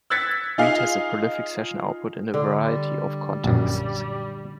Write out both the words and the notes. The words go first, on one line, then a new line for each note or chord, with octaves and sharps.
Reid has a prolific session output in a variety of contexts.
E6 F#6 G#6 A6 B6 C#7
D#4 F4 G#4 F5
D3
G3
A#1 F#2